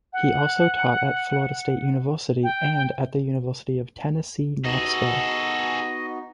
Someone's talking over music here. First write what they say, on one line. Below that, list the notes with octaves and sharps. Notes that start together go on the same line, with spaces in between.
He also taught at Florida State University and at the University of Tennessee–Knoxville.
F#5
G5
B3 D#4 F#4 G#4 A4 D#5